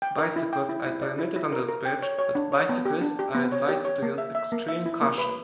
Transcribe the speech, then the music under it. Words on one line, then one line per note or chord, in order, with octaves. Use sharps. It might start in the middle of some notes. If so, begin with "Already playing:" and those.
Bicycles are permitted on this bridge, but bicyclists are advised to use extreme caution.
G5
A#4
E4
G5
E4
E4
D5
E4
E4
A#4
A#4
G5
C#5
C#5
D4
C#5
B3
G4
D4
G4
B3
C#5
G4
C#5
A#3
E5
E5
A#3
E5
E4
A#3
B4